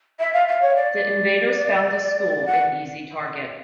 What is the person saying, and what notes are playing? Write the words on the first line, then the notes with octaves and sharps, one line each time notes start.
The invaders found the school an easy target.
E5
F5
F5
C#5
D5
F#5